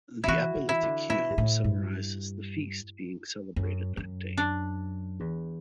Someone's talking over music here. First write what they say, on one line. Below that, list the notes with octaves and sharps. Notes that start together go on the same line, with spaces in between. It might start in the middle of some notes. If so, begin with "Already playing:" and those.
The apolytikion summarizes the feast being celebrated that day.
E3 E4 F#4
E3
E4
D3
B2 E4
G2
A2
G2
F#2
F#2
D4
E2